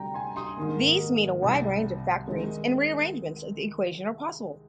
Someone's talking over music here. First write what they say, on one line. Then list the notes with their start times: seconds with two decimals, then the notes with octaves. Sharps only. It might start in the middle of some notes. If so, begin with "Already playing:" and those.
These mean a wide range of factorings and rearrangements of the equation are possible.
Already playing: D2 C3 G3 C4 G5 A#5
0.14 G#5 C6
0.36 C6 D#6
0.57 G#2 D#3 A#3
1.42 C2 C3 G3 C4
2.26 D#3 G#3 C4